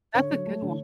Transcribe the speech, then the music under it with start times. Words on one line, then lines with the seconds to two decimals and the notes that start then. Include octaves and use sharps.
that's a good one.
0.14 D3 C#5
0.31 F#3
0.46 A3
0.62 D3